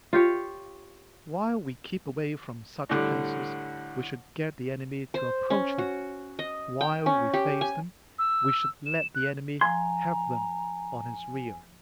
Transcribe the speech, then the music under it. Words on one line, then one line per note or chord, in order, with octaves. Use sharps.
While we keep away from such places, we should get the enemy to approach them; while we face them, we should let the enemy have them on his rear.
F4 G4 C#5
A2 D3 G3
C5
C#4
F#4
D#5
G5
C#4
G4
G#5
E6
E7
F#6
F3 G#5 A#5 C6